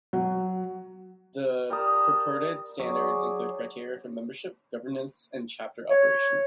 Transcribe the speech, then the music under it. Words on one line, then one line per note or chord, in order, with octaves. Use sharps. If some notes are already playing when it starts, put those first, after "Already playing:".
The purported standards include criteria for membership, governance and chapter operation.
F#3
G3 A#4 A5 D#6
F#3 G#4 D5
C#5